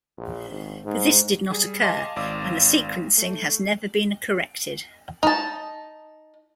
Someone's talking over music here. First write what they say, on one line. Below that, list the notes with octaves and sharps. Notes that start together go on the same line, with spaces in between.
But this did not occur, and the sequencing has never been corrected.
A#1
G#1
G#2
G3 G#4
D#5 F5 G#5 A5 C6 D6
G#1 D5 F5 D6 E6
A3
D#4 A5